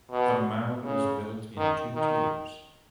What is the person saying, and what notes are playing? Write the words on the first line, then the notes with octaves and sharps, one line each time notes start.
The mound was built in two tiers.
B2
C#3
D#3
D#3